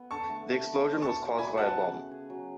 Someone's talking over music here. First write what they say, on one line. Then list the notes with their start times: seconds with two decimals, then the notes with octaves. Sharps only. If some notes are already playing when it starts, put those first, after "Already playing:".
The explosion was caused by a bomb.
Already playing: B3 A4
0.11 D3 A5 C#6
0.29 A3
0.48 D4
0.66 B3
0.84 E3
1.02 B2 A5 C#6
1.20 B2
1.38 A2 G#5 B5
1.57 F#4 F#5 A5
1.75 C#3
1.94 B3
2.11 G#4
2.30 F#3